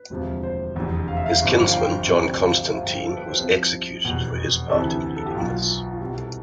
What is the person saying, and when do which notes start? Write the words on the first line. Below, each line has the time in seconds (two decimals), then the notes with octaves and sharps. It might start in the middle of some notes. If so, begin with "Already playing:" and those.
His kinsman John Constantine, was executed for his part in leading this.
Already playing: B4
0.10 E1 D2 C3 F3
0.43 C5
0.75 F1 E2 D3
1.08 F5
1.17 E5
1.26 F5
1.42 G1 G2 F3
1.65 F5
1.73 G5
2.06 D2 C3 F3
2.40 F5
2.65 E5
2.72 G1 G2 F3 F5
2.83 G5
2.94 F5
3.06 A4
3.16 B4
3.27 C5
3.39 C2 C3 F3 C5
4.04 F1 E2 B2
4.69 D2 C3 E3 A4
5.16 A4
5.26 G4
5.35 B1 B2 F4
5.52 F4
5.91 F4
6.00 C2 B2 G4
6.17 A4